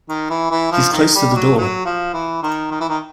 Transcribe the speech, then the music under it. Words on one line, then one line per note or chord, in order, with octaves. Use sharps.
He’s close to the door.
D#3
E3
E3
F3
D#3
G3
F#3
F#3
F3
E3
D#3
D#3
E3
D#3